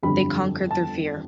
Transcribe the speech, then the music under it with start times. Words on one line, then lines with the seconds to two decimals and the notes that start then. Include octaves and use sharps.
They conquered their fear.
0.03 G1 F2 D3 G3 B5
0.71 A5